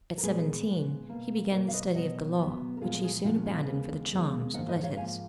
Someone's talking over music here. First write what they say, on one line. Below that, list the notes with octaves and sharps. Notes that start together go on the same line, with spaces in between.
At seventeen he began the study of the law, which he soon abandoned for the charms of letters.
A#4
A#2 G#3 B3 G#4 B4
A#2 G#3 B3
B2 A#3
B2 A#3 A#4 C#5
F5
B4 D#5
B2 F#3 B3 D#5 F#5
B2 F#3 B3
A#4
A#2 F3 G#3 B3 F4 G#4
F4 G#4
A#2 F3 G#3 B3 D#4 F#4
C#4
C#4
G#4 B4
D#2 C#3 G#3 B3
D#2 C#3 G#3 B3
G#2 F3 A#3 D#5 F#5
B4 D#5
F#5
C#5 F5
G#2 F3 A#3 F5 G#5